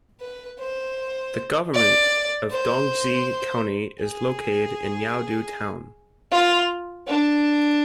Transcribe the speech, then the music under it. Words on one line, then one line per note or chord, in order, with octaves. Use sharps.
The government of Dongzhi County is located in Yaodu Town.
B4
C5
D5
C5
G#4
F4
D4